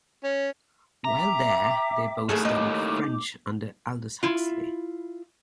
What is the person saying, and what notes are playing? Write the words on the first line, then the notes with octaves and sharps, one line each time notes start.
While there, they both studied French under Aldous Huxley.
C#4
E5 G5 A#5 D6
D#2 A2 A3 G#4 A4
D#4 D6
E4 F4